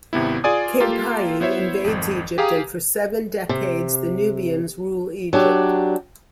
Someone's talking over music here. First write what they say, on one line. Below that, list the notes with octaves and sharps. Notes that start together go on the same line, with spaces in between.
King Piye invades Egypt and for seven decades the Nubians rule Egypt.
G#1 C3 B3 E4
F4 G#4 D5 G#5 D#6
A#3 F4 G4 A4
B3 E4 C5 C#5 E5
G#1 F2
G4 G#4 F5 A#5 D#6
C3
F#3 D4 G4